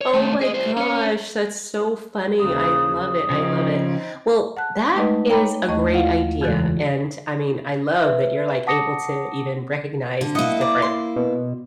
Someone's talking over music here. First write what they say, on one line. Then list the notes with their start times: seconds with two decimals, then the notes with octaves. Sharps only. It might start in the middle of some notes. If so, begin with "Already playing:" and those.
oh my gosh, that's so funny, I love it, I love it. Well, that is a great idea, and I mean, I love that you're like able to even recognize these different
0.01 C#5
0.14 D#2 A3
0.41 G#4 D#5
0.54 G3 C5
0.77 C#4 C#5
2.40 D#2 C#3 C5 D#6
3.30 C#3 F3 C4 C#4 D#4
4.57 F#5 A5 F#6
4.96 G#3 A3 D#4 B4 D#5 F#5
5.29 C#5 G5 A#5 B5 D6
5.68 D#2 A3 D#5 C#6
5.93 E4 F4 F5 F#5
6.41 F2 C#3 E3 G#3 F#4 A4
8.02 B4 E5
8.67 F#5 A5 D6 D#6 A#6 C#7
10.21 D3
10.35 A#3 E4 D#5 F#5
10.61 D5 A#5
10.82 C6
11.16 B2